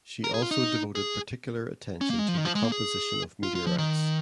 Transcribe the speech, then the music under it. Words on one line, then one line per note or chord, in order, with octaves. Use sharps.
She also devoted particular attention to the composition of meteorites.
A#4
G#4
F4
D#4
G#4
C#4
A#3
G#3
F3
D#3
F3
G#3
A#3
G#4
F4
F4
F3
D#3